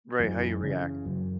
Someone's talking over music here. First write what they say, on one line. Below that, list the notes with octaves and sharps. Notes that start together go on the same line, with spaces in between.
Right, how you react?
F#2 E3
C#3
F#2